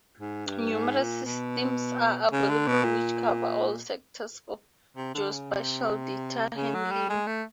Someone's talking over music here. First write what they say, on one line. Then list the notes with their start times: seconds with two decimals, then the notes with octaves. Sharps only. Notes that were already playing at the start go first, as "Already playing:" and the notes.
Numerous systems are available which cover all sectors of geospatial data handling.
0.20 G#2
0.46 G2
0.73 G#2
1.00 A#2
1.25 B2
2.32 C#3
2.49 D3
2.67 B2
2.84 A#2
4.97 C3
5.14 D3
5.33 C#3
5.51 C3
6.56 C#3
6.74 F#3
6.91 G3
7.09 G#3
7.27 A3